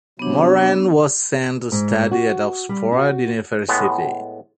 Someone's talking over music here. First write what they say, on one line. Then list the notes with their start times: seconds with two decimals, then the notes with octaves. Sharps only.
Morand was sent to study at Oxford University.
0.19 C3 F#3 B3 D4
1.72 G#2
2.11 F#4
2.69 G3
2.92 F#4
3.69 A2 G#3 B3